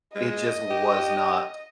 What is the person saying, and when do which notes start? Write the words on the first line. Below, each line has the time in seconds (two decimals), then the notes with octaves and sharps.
it just was not
0.15 G#3 D#5
0.70 G4